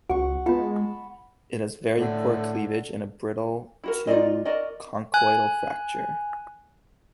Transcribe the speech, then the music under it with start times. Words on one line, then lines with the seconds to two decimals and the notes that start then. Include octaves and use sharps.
It has very poor cleavage and a brittle to conchoidal fracture.
0.10 C#2 F#4 F#5 C#6
0.46 G#3 B3 F4 A5 B5
1.98 A2 D3
3.84 E4 F#4 A#4
4.07 D#4 F4 A#4 D5 D#5
4.45 F#4 A#4 D5 D#5
5.14 G#5 F#6